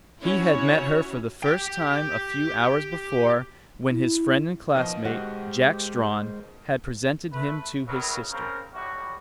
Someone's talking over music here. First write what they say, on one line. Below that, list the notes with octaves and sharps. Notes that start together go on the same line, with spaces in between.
He had met her for the first time a few hours before, when his friend and classmate, Jack Strawn, had presented him to his sister.
C#4 E4 F#4 C#5
G4 G5
E4
B2 D#3 F3 D#5
G#3 F#4 G4 C5
A3 B4
G#1 C#2 C#3 F#3 A#4 B4
C#3 C4 A#4
B1 A2 G3 F#4